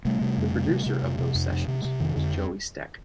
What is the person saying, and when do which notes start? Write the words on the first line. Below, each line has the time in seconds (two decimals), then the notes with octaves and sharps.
The producer of those sessions was Joey Stec.
0.05 C3 G3 A3
0.21 C3
0.38 F2
0.54 C3
0.69 C3
0.86 C3
1.03 F2
1.19 C3
1.35 F2
1.52 C3
1.67 C3
1.84 C3
2.00 F2 D#3
2.16 F2 D3